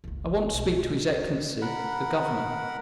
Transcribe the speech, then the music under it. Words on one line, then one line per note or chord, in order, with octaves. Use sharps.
"I want to speak to his Excellency, the governor."
F#1 C#2
B1
A#4 F#5 B5